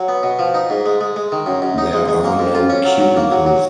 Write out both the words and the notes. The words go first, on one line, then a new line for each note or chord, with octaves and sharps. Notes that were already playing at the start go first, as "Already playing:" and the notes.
There are no cubicles.
Already playing: F#3
B3
B2
F3
D#4
G#2
G#3
G#3
G#3
D#3
F#2
F#2
D#4
G#3
G#3
A#3
F2
F4
C#4
F#3
F#3
A#3
F#3
F#3